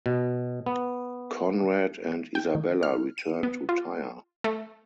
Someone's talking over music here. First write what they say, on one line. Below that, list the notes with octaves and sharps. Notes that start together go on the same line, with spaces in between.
Conrad and Isabella returned to Tyre.
B2
B3
G5
D#3
F6
D#7
B3
F4
A3